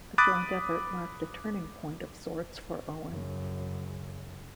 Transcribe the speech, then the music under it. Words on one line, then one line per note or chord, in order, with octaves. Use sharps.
The joint effort marked a turning point of sorts for Owen.
B5 D6 D#6 F#6 A6
F#2 C#3